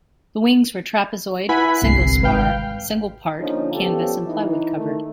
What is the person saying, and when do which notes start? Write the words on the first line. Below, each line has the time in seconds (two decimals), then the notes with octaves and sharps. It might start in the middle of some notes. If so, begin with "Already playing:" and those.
The wings were trapezoid, single-spar, single part, canvas and plywood covered.
1.49 E4 B4 F#5 G#5 B5
1.82 G1 C2 C7
2.22 G#1 B4 F5 G5
3.39 D3 F3 A#3 C#4 D#4
3.74 F3 G3 B3 C#4 G4 A4
4.27 E3 D#4
4.77 D#3 A3